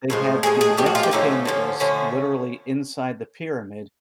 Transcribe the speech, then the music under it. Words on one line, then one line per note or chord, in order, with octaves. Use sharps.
They had the Mexican that was literally inside the pyramid,
A2 F3 G#3
A2 F3 G#3 G#4
G#4
A2 F3 G#3 G4
F#4
F4
G4
D3 F3 A3 C#4 D#4
D3 F3 A3 C#4
D3 F3 A3 C#4